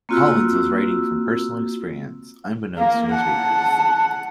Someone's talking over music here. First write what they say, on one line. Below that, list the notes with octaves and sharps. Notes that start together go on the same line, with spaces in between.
Collins was writing from personal experience, unbeknownst to his readers.
A#3 C4 F4 F#4 E6
A#3 F5
F#5 A5